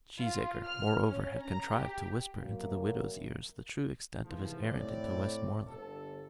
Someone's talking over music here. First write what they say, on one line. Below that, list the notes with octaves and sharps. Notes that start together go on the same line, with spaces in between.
Cheesacre, moreover, had contrived to whisper into the widow's ears the true extent of his errand into Westmoreland.
F4
F6
C#4
A#5
G4
F#2 A#3
G#2 C3 E3 F3
A2 C4 D5
G1 A4